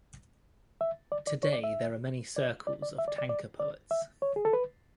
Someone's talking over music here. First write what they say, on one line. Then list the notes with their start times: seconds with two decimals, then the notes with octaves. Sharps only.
Today there are many circles of tanka poets.
0.81 E5
1.12 D5
1.27 D5
1.43 C#5
1.53 D5
1.63 E5
2.36 D5
2.67 D5
2.82 D5
2.98 E5
3.08 D5
3.18 D5
3.29 D5
3.60 D5
3.91 E5
4.22 C#5
4.36 G#4
4.45 A4
4.53 B4